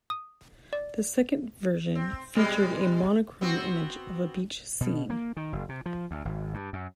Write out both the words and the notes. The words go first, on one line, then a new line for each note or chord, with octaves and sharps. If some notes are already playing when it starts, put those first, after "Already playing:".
The second version featured a monochrome image of a beach scene.
D#6
D5
C4
B2 G3 G#3
B3 C4 F#4
B2
A#3
D#3
F#1
C3
F3
D2
G#1
G2
F#2